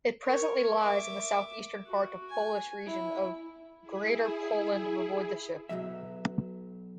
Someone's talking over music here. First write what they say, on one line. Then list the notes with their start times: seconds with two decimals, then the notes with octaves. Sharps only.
It presently lies in the south-eastern part of Polish region of Greater Poland Voivodeship.
0.23 A#4 C#5
0.77 E5 D6
1.86 F#4
2.29 G#5
2.87 E4
3.81 E4 G#4
5.69 B1 F2 B2 F#3 E5